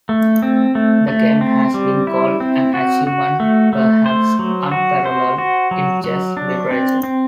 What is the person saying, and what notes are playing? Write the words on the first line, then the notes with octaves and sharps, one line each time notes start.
The game has been called an achievement "perhaps unparalleled in chess literature".
A3
C4
A3
A3
C4
G3
E4
C4
F#4
F#4
A3
A3
C5
F#3
F#4
C5
F#4
F#3
F#3
D4
C4
C4